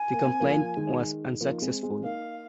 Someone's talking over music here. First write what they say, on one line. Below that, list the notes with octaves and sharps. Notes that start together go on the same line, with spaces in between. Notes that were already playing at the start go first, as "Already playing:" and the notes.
The complaint was unsuccessful.
Already playing: G#5
A#3
C4
F3 A#3
D#3 G#3
F3 A#3
D#4
G#3 C4
G#3 C4
A#3 D#4 F5